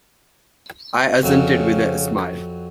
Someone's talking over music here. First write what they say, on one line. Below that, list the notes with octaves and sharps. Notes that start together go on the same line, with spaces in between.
I assented with a smile.
F2 C#3 F#3